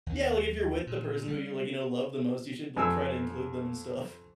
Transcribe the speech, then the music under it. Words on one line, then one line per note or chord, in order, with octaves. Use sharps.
Yeah, like if you're with the person who you like, you know, love the most, you should, like, try to include them and stuff.
D#2 D#3
A#2
G3
F2 G#5 E6